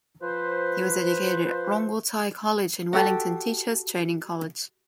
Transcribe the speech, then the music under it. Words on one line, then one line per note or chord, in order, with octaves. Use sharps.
He was educated at Rongotai College and Wellington Teacher's Training College.
F3 B4 C5
F#4 G4 A4